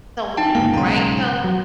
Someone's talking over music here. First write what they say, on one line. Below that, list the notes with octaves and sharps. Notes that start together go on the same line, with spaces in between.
So weird, right? So,
D#4 G5 A5
G1 C#2 A#3 F5
B1 G#2 C#3 A#5 C6
F#3